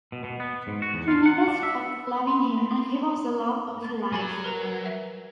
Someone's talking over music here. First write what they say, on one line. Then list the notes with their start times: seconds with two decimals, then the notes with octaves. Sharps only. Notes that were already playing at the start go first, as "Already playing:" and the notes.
She never stopped loving him, and he was the 'love of her life'.
0.12 B2
0.24 B2
0.40 B3
0.67 G#2
0.82 F#4
0.94 E2
1.08 F4
1.26 F#5
1.48 D4
1.63 E5
2.26 B5 C6
4.13 F#3 G#5 A6 F#7
4.44 A#4 B4 A#5
4.86 E5